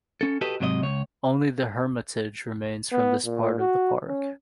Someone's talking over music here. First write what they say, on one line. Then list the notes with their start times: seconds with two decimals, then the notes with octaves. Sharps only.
Only the Hermitage remains from this part of the park.
0.21 C#4 A4
0.41 F#4 G4 A4 B4 D#5
0.60 G#2 C3 F#3 C5 D#5
0.83 C#2 C#5
2.92 B3
3.25 A#2
3.60 F#4
4.08 C#4